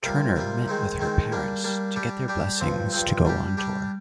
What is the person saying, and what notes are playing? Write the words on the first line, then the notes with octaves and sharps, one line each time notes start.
Turner met with her parents to get their blessings to go on tour.
C3 G3 A#3 F4
C3 G3 A#3 F4
D#3 G#3 C4 D#4
D#3 G#3 C4 D#4
G3 A#3 D4
G3 A#3 D4
G3 D4 G4
G3 D4 G4
G2 F3 C4
G2 F3 C4
G3 D4 G4
G3 D4 G4